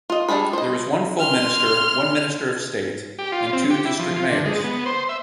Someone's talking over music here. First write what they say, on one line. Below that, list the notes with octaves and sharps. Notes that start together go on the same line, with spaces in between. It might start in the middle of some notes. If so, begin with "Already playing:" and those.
There is one full Minister, one Minister of State and two district mayors.
F4 D#5
G3 D4 D#4 G#4 B5
C5 D#5
C6 F6
G4
F4
C4
G4
E4
F3
F4
D3
G#3
B3
C5
E5